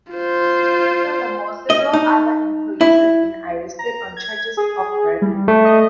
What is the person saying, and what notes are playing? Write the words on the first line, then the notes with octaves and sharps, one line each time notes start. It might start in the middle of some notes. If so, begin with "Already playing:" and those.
Furthermore, several other employees have been arrested on charges of bribery.
F4 C5
D#5
D#4
E4
A#5
G#6
G#4
G3
A3
D#5